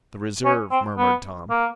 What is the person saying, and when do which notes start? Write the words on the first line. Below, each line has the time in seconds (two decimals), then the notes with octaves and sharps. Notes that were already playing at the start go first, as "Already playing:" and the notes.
"The reserve," murmured Tom.
0.45 C#4
0.71 C4
0.98 B3
1.50 A#3